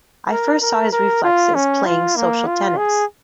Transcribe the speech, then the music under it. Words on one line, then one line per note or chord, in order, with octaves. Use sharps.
I first saw his reflexes playing social tennis.
A#4
A#4
A#4
F4
C#4
F4
A#3
F4
G#4